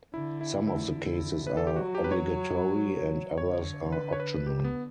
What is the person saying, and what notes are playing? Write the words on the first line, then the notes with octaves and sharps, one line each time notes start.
Some of the cases are obligatory and others are optional.
D3 E4
E4
D3 E4
B4
A4
G4
F#3 F#4
G4
B4
C#5
D3 C#5
B4
C#5
B4
G4
B3